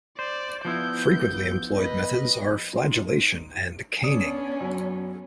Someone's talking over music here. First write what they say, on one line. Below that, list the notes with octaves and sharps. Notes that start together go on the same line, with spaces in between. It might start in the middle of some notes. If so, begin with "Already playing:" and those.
Frequently employed methods are flagellation and caning.
C5 D5
F3 B3 E4 G6
B4 D#5
D#4 C6
B3 C#4 D4 D5 D#6 C#7
F#2